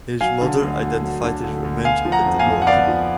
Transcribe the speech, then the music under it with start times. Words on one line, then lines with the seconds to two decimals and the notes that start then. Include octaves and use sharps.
His mother identified his remains at the morgue.
0.21 F#3 F5 G#5
0.41 D3
0.62 D2
0.82 D2
1.03 F#3
1.23 D3
1.44 D2
1.64 D2
1.85 B3 F5 G#5
2.05 F3
2.12 F#5 A#5
2.26 F2
2.39 F5 G#5
2.46 F2
2.62 F#5
2.67 B3 D5 F5
2.88 F3